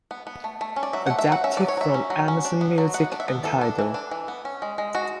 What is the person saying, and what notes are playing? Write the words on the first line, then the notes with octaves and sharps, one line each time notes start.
Adapted from Amazon Music and Tidal.
B3
B3
A3
A3
C#4
D5
F#3 E5
A3 F#5
E5
F#3 F#5
C#4 E5
F#3 D5
C#5
F#3 E5
C#4
F#3
C#4
D4
B3
F#3
B3 F#5
D4
E5
B3
E3 A4
D4
E3
D4
E3
B3
C#4
G#3
G#3
G#3 F#4